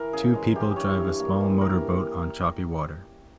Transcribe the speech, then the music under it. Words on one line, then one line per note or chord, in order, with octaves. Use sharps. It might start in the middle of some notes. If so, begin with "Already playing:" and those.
Two people drive a small motor boat on choppy water.
Already playing: E3 A#4
C#3 G#4
G#3
E3 G4
G2 C#5
G2
A#3
E3
G2 A#4